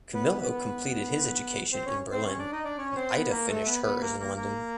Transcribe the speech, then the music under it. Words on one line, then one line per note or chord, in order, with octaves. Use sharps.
Camillo completed his education in Berlin and Ida finished hers in London.
B3 B4
B3 B4
C4 C5
C#4 C#5
C4 C5
C#4 C#5
D4 D5
D#4 D#5
D4 D5
C#4 C#5
C#5
C4 C5
B3 B4
B4
A#3 A#4
A3 A4
B3 B4
B3 B4
A#3 A#4
A#3 A#4
A#3 A#4